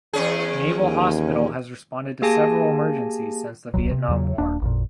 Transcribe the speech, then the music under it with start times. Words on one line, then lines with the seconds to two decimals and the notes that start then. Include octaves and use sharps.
Naval Hospital has responded to several emergencies since the Vietnam War.
0.13 E2 C#4 G#4
0.76 D#2
2.22 A#3 G4 G#4 G#5 A5 A#6
3.74 D1 B1 F#3
3.91 C3
4.08 E2 C#3 F#3
4.38 D#1 A#3 D4
4.62 A1 F2 A#2